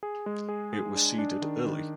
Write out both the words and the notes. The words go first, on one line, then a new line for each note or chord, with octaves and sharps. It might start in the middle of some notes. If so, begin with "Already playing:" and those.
It was seeded early.
G#4
G#3
G#4
G#4
D4
D4
D#3
D#3